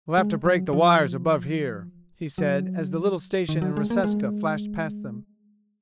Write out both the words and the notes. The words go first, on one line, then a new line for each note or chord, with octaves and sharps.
"We'll have to break the wires above here," he said as the little station in Reseca flashed past them.
G#3
F#3
F3
F#3
D#3
F#3
G#3
A#3
G#3